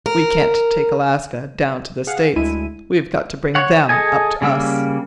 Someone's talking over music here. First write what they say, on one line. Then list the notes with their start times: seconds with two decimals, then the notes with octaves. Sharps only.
We can't take Alaska down to the States--we've got to bring them up to us.
0.06 A#4
2.07 G#4 F5 F#5
2.36 D2 G#3 E4 D#7
3.55 C#5 F#5
3.89 G#4 A4 D#5 G#5
4.42 C#3 G3 A#3 E6